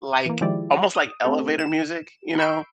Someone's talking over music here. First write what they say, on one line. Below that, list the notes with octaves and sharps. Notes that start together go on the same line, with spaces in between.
like almost like elevator music, you know,
E3 A#3
D#3 F3 G#3 E4 G4 D5
D#6
A3 C4 G4 A4
E7
B5 C#6 E6 G6 C7 D7